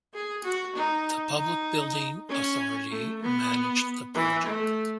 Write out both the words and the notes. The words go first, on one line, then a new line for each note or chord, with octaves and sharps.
The Public Building Authority managed the project.
G#4
F#4
D#4
D#4
C#4
A3
B3
E3
A3